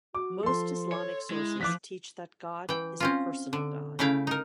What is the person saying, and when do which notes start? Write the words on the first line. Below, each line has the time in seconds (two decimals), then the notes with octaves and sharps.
Most Islamic sources teach that God is a personal God.
0.15 F#4 D6
0.43 F3 A4 C6
0.92 C#5
1.30 G#3 E4
1.61 E3 F3 D6 F#6 B6
2.69 E3 G5
3.00 C4 C#4 F4
3.53 D3
3.99 C#3 A3 E4 F5 G5
4.27 D#4 A#4